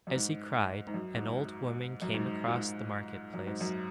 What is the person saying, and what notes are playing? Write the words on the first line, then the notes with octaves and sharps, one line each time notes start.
As he cried an old woman came across the Market Place.
F#2
G#2
G#2
F#2
G#2
F#2
G#2
A#2
G#2
F#2
G#2
F#2